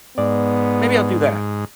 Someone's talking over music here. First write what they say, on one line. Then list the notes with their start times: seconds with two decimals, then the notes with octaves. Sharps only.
Maybe I'll do that.
0.18 G#2 B3 D5